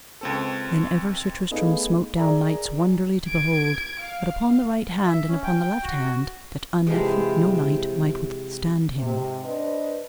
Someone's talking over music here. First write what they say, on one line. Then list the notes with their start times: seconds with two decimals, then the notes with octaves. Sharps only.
Then ever Sir Tristram smote down knights wonderly to behold, what upon the right hand and upon the left hand, that unnethe no knight might withstand him.
0.21 C#2 C4 A4
1.51 A3 B3 D#4 G#4 D#5 F5
2.17 G#4 A#4 D5 E5 A#5
3.27 G#6 D7
4.00 F5
5.06 E5
5.28 C#4
5.44 G5
5.83 F#4
6.87 C3 E3 F3 G#3
8.97 G#2 C3
9.44 D4 B4 C5 D#5